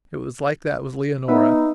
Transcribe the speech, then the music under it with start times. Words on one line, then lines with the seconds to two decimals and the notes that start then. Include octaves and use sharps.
It was like that with Leonora.
1.28 B3 D#4 B4 E5